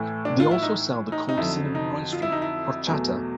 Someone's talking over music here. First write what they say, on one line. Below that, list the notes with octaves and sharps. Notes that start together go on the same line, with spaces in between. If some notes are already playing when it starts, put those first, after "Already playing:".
They also sell the cold cinnamon rice drink horchata.
Already playing: A2 E3 A3
D4
F4
E4
D#4
D#4
D#4
F2 D3 F#3 E4
D#4
F4
E4
D#4
E4
E2 B2 F#3 A3